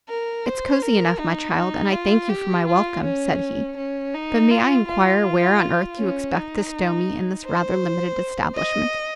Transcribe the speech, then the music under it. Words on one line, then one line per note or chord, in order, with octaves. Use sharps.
"It's cozy enough, my child; and I thank you for my welcome," said he. "But may I enquire where on earth you expect to stow me in this rather limited establishment?"
A#4
C5
A#4
D#4
D#4
F4
G4
F4
C#4
C#4
D#4
F4
F4
C#4
D#4
C5
D#5